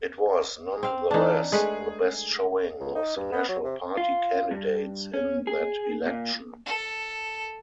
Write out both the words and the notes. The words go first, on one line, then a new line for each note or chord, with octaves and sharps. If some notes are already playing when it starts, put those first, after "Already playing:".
It was nonetheless the best showing of the National Party candidates in that election.
C4 F5
E3 D4 D#4 A5
G#3 A3 G#4 B4
C#2
D#4
G2
B3
F#3
C3
F4
G2
C#4
G#4
A#2
A4